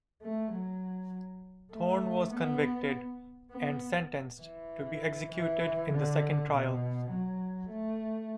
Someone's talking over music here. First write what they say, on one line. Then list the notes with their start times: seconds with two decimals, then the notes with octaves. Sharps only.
Thorne was convicted and sentenced to be executed in the second trial.
0.22 A3
0.52 F#3
1.72 A3
2.32 B3
3.51 B3
4.41 E3
5.31 E3
5.91 D3
6.51 B2
7.10 F#3
7.70 A3